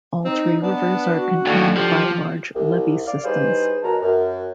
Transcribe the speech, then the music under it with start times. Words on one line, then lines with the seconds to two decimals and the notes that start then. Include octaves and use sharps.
All three rivers are contained by large levee systems.
0.25 C4 D#4
0.62 B3 D4
1.17 F#4
1.46 D#2 A2 D3
1.76 F3 G4
2.54 C2
3.07 D5 F5
3.25 E3 G3 D#4 G#4 B4 C5
3.83 B2 F#3 G#3 A#4 A5 A#5
4.02 F#2